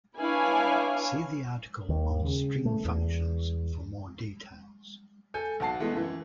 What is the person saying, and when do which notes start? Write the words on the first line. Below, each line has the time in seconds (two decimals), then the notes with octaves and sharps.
See the article on string functions for more details.
0.18 D4 E4 B4 C#5 F5 G#5
1.89 D#2
2.25 C#3
2.65 A3
2.85 E2
5.34 A4 G#5 G6
5.60 B1 F#4 A5 C7
5.80 E3 G#3 A3 B3
5.92 F#2 E3